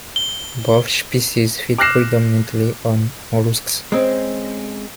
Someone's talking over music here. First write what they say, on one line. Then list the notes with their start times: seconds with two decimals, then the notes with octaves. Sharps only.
Both species feed predominantly on molluscs.
0.16 G7
1.78 D6 F6 F#6 A#6 C7 E7
3.92 G#3 C4 C#4